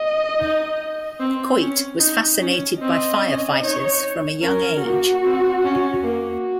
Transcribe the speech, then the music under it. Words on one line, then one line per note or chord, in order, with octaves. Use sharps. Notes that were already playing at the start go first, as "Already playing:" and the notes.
Coit was fascinated by firefighters from a young age.
Already playing: D#5
D#4
C4
C#4
D#4
C#4
C4 D#5
C#4
D#4 C#5
C#4 A#4
A#3 F#4
C4
C#4
A#3 F#4